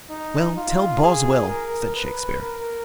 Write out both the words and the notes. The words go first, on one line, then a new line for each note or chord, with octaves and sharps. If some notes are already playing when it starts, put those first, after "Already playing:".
"Well, tell Boswell," said Shakespeare.
D#4
F4
G#4
A#4
B4
A#4